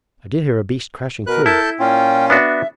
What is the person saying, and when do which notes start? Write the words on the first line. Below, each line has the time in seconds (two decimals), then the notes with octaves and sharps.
'I did hear a beast crashing through.
1.27 B2 A#4 B4 F#6
1.46 E4 A4 A5 G6
1.80 A#2 C#4 F4 G5
2.30 B3 D4 F#4 E5